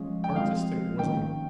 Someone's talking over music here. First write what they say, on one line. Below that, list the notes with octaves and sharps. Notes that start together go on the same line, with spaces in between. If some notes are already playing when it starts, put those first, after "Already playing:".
Artistic, wasn't it?
Already playing: F3 G#3 C#4
G5
F3 G#3 C4 F5
D#3 A#3 C#4 G5